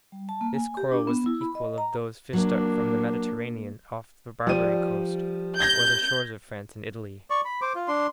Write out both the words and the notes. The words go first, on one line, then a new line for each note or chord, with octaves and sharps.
This coral was the equal of those fished up from the Mediterranean off the Barbary Coast or the shores of France and Italy.
G3
A5
A#3
G#5
G4
D4
B3
E4
B5
D#5
A#5
F#3 A#3 D4
F3 G3 D#7
G6 G#6 A#6 G7
D5 C#6
B5
C5 D6
F4
D4 C6